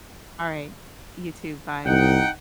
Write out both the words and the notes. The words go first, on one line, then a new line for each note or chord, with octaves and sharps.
Alright, you too, bye.
C2 D#4 F#5 G5